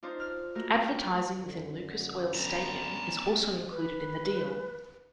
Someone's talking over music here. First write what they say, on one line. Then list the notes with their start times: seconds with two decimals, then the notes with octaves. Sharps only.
Advertising within Lucas Oil Stadium is also included in the deal.
0.03 D4 D#4 F4 C5
0.20 D5 F6
0.55 A3 A#3 F#4 A#4
0.73 F5 G5
0.94 C#4
1.42 F#2 D3
2.35 B3 C#4 D4 A5 A#5
3.71 B4